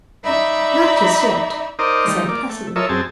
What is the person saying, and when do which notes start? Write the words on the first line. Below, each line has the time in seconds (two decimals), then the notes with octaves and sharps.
"Not just yet," he said pleasantly.
0.23 D#4 D5 E5 B5
1.79 D#4 A#4 C5 D5 D#5
2.07 D#3 G3 A3 D#4
2.29 A#3 D5
2.49 A3
2.76 F4 A4 A#4 C#5 D#5 E5
2.89 F#2 C4 G#4 A5